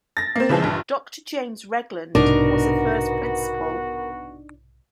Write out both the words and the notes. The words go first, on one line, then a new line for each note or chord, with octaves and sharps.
Doctor James Regland was the first principal.
A6 A#6
A#3 C4
C#3 E3 F3 G#3
A#1 G2
B1 G#2 C3 B3 D4 D#4 F#4 A#4